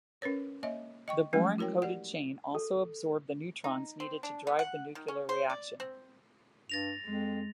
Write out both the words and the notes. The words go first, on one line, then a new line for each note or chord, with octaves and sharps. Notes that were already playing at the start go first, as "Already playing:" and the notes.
The boron-coated chain also absorbed the neutrons needed to drive the nuclear reaction.
C#4 A#4 B4 C#5
A#3 C#5 D#5 E5
D#5 G5 C#6
F3 F#3 G#3 A3 C#4 G4
E4 F#4 A#4 C#5 G5
G4 D5 F#5
A4
D#4
C4
D4
B3
F#5
D#3
C#4
C5
D5
C4
G2 A6 A#6 F7
F2 G#3